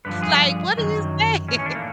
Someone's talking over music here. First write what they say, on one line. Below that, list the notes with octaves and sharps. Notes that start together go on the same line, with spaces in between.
like, what do you say,
G2 D3 F3 B4
G#4
F#2 D#3 F#3
A2 E3 C#4
C#4
D4
A#3